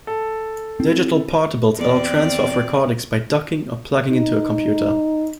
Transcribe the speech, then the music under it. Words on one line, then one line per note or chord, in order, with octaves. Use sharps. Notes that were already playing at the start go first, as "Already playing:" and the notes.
Digital portables allow transfer of recordings by docking or plugging into a computer.
A4
C4 E4
E2 C4 D5
D#4